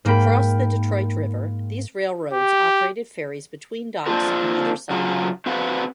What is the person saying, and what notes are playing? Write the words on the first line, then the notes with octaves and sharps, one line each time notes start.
To cross the Detroit River, these railroads operated ferries between docks on either side.
G#2 A#3 A#4 G5 B5
G4
A#3 C4 D4 F4 F#4 A#4
C#3 F#3 F4
C4 F#4 B4 F5